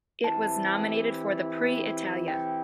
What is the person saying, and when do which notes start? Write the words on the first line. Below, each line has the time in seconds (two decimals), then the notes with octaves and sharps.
It was nominated for the Prix Italia.
0.24 E3 C4 E4 G4 A5
2.28 G5